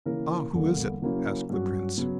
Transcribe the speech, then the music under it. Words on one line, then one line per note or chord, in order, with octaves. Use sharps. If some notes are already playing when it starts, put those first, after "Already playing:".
"Ah! who is it?" asked the Prince.
C#3 E3 A#3 E4 A#4
E2 D3 G3 A#3
C#3 F#3 A#3 C#4 E4
G2 F#3 C#4 F#4
C#3 F#3 B3